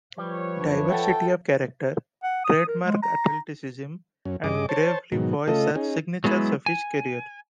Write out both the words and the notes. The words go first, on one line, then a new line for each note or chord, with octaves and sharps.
Diversity of character, trademark athleticism, and gravelly voice are signatures of his career.
F3 G3 B4 C#5
F#2 D4
A4 E5 F#5 G5 A5
F#5
D#6
A#4
G#3
A#5
F#2 C#4
G2 C#3 G#4 D#5 D6
C5 C#5 A5
G#2 B2 D#3 F#3
C#3 A3 F4 A4 D#5
C#4 D#4 G#4
F#3 G#3 B3 C#4 E4
G#5